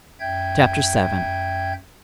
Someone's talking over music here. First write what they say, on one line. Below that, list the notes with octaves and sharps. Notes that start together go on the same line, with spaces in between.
Chapter VII.
F#2 E5 G5 G6 G#6